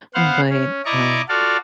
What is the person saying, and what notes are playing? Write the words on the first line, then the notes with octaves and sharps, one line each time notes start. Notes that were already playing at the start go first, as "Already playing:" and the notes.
but, um,
B3 C5 F5 F#5
C#4
E4 D5 D#5 A#5 C#6 D6
F4 F#4 A4 D5 F5